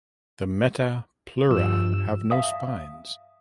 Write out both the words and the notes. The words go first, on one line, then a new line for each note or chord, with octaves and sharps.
The meta pleura have no spines.
G2 F3 E6
E5 F5 A5 D#6